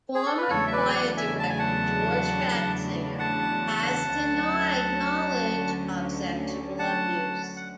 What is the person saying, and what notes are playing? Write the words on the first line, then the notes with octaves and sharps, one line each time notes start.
Former choir director Georg Ratzinger has denied knowledge of sexual abuse.
G#4
A4
B4
E2 C#3 F#3 A3 D4 A4 C#5
E5
B4 D5
G#5
D5 F#5
E5 G#5
A5
G#5
F#5 A5
F#5 A5
D2 D3 F#3 C#4
F#5 A5
F#5